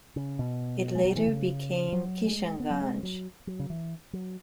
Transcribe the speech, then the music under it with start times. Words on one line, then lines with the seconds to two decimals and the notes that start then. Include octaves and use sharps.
It later became Kishanganj.
0.16 C#3
0.39 B2
0.95 G#3
1.05 F#3
1.16 E3
1.26 C#3
1.92 F#3
2.26 G#3
2.60 B3
2.70 F#3
2.81 G#3
3.03 F#3
3.47 F#3
3.59 C#3
3.70 E3
4.13 F#3